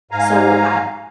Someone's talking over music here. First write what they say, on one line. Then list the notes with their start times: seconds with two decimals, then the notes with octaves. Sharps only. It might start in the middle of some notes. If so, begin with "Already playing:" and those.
so I
0.11 G#2 F5 G#5 A#5